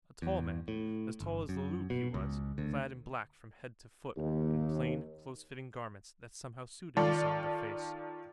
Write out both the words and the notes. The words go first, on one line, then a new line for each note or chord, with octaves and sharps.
A tall man, as tall as Le Loup he was, clad in black from head to foot, in plain, close-fitting garments that somehow suited the somber face.
E2
A2
G1
F#2
B2
C#2
D2
D#2
D#3 F4 A4 D5